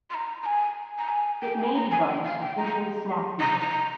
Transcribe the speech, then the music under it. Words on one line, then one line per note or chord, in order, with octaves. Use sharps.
It may be garnished with Indian snack noodles.
C6
A#5
A#5
G#5
A#5
G#5
G5
G#5
A#5
G#5
G5
F5
G5
A#5
A#5
A#5